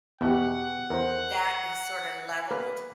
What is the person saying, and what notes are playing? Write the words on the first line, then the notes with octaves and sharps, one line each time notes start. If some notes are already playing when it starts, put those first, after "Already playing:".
That is sorta leveled
E2 B2 B3 G4 F#5
E2 A#4 C5
A#3 B4